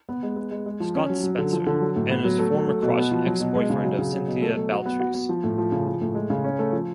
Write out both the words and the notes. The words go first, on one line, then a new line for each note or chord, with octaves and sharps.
Scott Spencer - Anna's former crush and ex-boyfriend of Cynthia Baltres.
B3
G#3
B3
G#3
G#3
F3
C#4
F#3
F#3
D3
F3
D3
F#3
A2
B3
F#3
A3
F#3
A3
B2
B3
F3
F#3
B2
G#3
C#3
F#3
C#3
F#3
B2
A3
F#3
F#4
B3
F#4
B3
F3
A2
F3
C#3
F3
A2
G#3
C#3
C#4
A3
F3